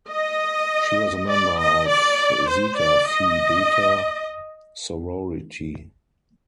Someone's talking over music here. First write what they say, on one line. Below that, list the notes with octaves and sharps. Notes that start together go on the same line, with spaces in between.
She was a member of Zeta Phi Beta sorority.
D#5
D5
D#5
D5
C5
D5
D#5